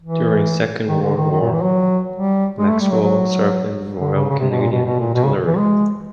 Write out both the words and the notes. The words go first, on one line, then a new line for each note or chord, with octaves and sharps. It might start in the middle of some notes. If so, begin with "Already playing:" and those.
During Second World War, Maxwell served in the Royal Canadian Artillery.
E3
D#3
D3
D#3
D#3
A#2
E3
F#3
G3
G#3
A3
G3
F#3
F#3
D3
C#3
C#3
C3
B2
A#2
B2
B2
A#2
B2
C#3
E3
G#3